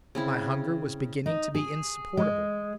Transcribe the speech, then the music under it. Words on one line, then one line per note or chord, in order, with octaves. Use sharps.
My hunger was beginning to be insupportable.
C#3 C4 E4
D#4
G#4
G#3